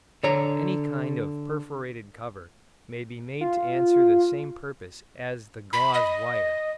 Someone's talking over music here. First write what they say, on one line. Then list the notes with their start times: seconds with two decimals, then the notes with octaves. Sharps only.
Any kind of perforated cover may be made to answer the same purpose as the gauze wire.
0.23 D3 C#5 A#5
3.41 F4
5.73 B5
5.94 D#5